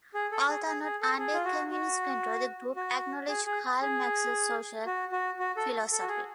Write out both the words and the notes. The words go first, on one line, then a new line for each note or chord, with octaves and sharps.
Although not under Communist control, the group acknowledged Karl Marx's social philosophy.
G#4
A4
G#4
G#4
G#4
A4
G#4
F4
F#4
F#4
F#4
G#4
G#4
G#4
F#4
F#4
F#4
A4
A4
F#4
G#4